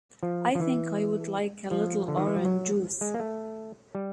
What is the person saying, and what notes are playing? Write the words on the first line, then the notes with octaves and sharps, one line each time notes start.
I think I would like a little orange juice.
F3
F3
E3
F3
D3
D#3
E3
F3
F#3
G#3
A#3
A3
G3